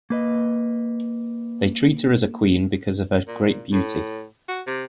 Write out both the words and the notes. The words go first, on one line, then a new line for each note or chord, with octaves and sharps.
They treat her as a Queen because of her great beauty.
A#3 B4 D#5
A#2
A2
F#4
C3